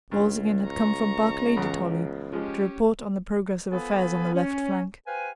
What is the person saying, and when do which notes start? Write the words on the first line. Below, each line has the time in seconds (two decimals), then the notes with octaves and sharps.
Wolzogen had come from Barclay de Tolly to report on the progress of affairs on the left flank.
0.11 C#2 G2
0.68 A#5 C#6
1.57 A1 E2 C#3
2.32 F3 G#3 C#4 G4
3.72 F3 B3 A4 B4 G#5 B5
4.35 C#4
5.07 G4 B4 C5 F5 G#5